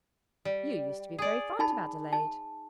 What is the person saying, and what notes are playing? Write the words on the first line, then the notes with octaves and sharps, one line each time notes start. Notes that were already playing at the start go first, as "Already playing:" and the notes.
"You used to be very fond of Adelaide."
G3
G#4 D5
D#4 A5 B5
A5